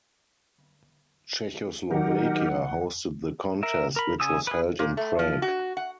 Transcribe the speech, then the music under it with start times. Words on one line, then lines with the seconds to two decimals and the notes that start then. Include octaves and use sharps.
Czechoslovakia hosted the contest, which was held in Prague.
1.91 D#3 F#3 D#4 G4 A#4 F#5
3.63 A#4 E5
3.96 A#4 B5
4.20 C#3 G#5 D#6 E6
4.47 G#4 B4
4.79 A#2
4.97 A3
5.19 F3
5.42 F#4
5.77 F#5